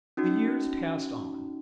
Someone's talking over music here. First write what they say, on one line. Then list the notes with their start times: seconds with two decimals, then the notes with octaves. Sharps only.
The years passed on.
0.17 C#4 D#4 F#4